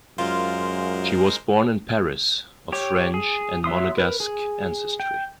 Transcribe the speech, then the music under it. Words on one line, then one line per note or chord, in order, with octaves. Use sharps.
She was born in Paris of French and Monegasque ancestry.
F#2 G#3 F4 A#4 C5
G4 C#5
G#4
F#3 E5 C6 D#6
A#4 B4
G#4
G5